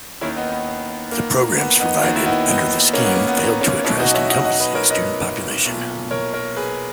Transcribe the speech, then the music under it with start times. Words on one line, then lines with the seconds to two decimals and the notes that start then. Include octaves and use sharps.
The programs provided under the scheme failed to address encompassing student population.
0.21 D#2 D#3 C#4 E4
0.36 B3 D#4
0.52 B3
1.12 A#3
1.58 B3
1.80 B3 D#4
2.03 D#2 D#3 D#4 F#4
2.16 E4
2.26 B3 D#4
2.48 B3 D#4
2.93 A#3 C#4
3.05 B3
3.16 A#3
3.27 B3
3.39 A#3 C#4
3.61 A#3 C#4
3.84 B1 B2 C#4 E4
4.00 D#4 F#4
4.14 C#5 E5
4.29 D#5 F#5
4.45 D#5 F#5
4.60 B4 D#5
4.75 A#4 C#5
4.90 B4 D#5
5.65 B1 A#2
6.11 A#4 C#5
6.34 A#4 C#5
6.56 G#4 B4